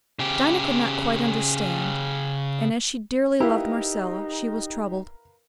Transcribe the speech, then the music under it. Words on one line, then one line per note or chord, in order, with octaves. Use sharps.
Dinah could not quite understand and, as she dearly loved Marcella, she was troubled.
C#3 G4
D#4 E4 G4 A#4 B4 F5